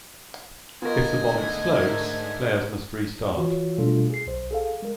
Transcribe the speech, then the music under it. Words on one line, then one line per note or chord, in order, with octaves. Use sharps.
If the bomb explodes, players must restart.
G#2 D3 A3 B3 F4 A#4 D#5 G#5
A#4 E5
E3 F4 F#4 C#5
B2 G3 A3 D4 F4 A4
G#4 C7
B1 C5
G#4 A4 F5
G#3 A#4